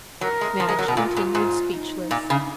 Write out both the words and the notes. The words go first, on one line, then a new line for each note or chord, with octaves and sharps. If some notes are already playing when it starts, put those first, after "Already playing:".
Madge continued speechless.
F#3 A#4
G#3
F3
G#3
F#3
B2
A#2 F4
G#2
G#2
D#4
A#2
C#3